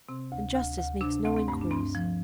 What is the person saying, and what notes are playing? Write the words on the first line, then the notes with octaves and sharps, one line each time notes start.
And justice makes no inquiries.
C3 C4
D2
D2
D2
C3 D4
D2 C4
C4
G2 A3
D4
G2 C4
F3